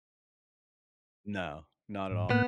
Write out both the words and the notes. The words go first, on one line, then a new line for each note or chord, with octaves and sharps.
No. Not at all.
G#2
A2 A#3 B3 F#6